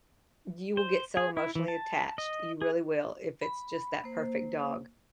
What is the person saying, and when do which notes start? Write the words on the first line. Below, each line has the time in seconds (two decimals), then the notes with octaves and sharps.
you will get so emotionally attached, you really will, if it's just that perfect dog,
0.77 C5
1.17 G#4
1.37 E4
1.55 E3
1.68 A5
2.18 D#5
2.62 G#4
3.41 B5
4.04 A#3 C5